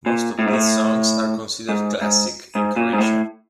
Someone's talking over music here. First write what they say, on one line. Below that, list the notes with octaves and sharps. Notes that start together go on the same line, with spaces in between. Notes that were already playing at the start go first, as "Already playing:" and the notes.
Most of these songs are considered classic in Croatia.
A#2
A2
G#2
A2
G#2
G#2
G#2
A#2
G#2
A2